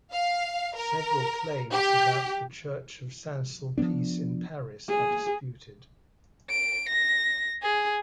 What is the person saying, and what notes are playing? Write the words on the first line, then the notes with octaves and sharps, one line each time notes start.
Several claims about the Church of Saint-Sulpice in Paris are disputed.
F5
A#4
G4
F3 F#3 B3 D4
G#4
D7
A#6
G#4